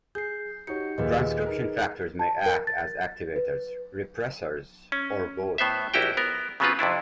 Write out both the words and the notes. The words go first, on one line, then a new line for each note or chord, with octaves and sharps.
Transcription factors may act as activators, repressors, or both.
G#4 G6 C7
D#4 F#4 G4 C#5 G6 C#7
D#2 A#2 G#4 B4 D#5
D#4 A#4
A5
A#4
A6
B4
C#4
A2 B3 C5 E5
A#1 E4 F#4 G4 G5
B3 A#4
C#3 F#3 B3 C4 F4 B4
F2 C3 D4 E4